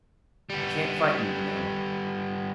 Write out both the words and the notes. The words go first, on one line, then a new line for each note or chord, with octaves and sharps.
I can't fight you, you know.
G3 B3